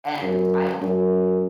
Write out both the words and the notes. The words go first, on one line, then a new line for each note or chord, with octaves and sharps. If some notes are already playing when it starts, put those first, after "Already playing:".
and I don't
F#2
F#2